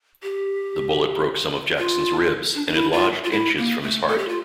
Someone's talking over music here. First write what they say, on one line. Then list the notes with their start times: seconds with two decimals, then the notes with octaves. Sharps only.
The bullet broke some of Jackson's ribs, and had lodged inches from his heart.
0.23 G4
1.78 F4
2.55 D4
2.66 D4
2.73 E4
2.93 F4
3.24 F4
3.31 E4
3.57 A#3
3.83 A3
4.08 A4
4.18 G4
4.28 F4